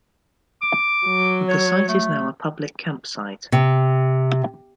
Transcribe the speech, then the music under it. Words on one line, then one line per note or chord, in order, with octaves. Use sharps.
The site is now a public camp site.
D6
F#3
C#5
A3
C3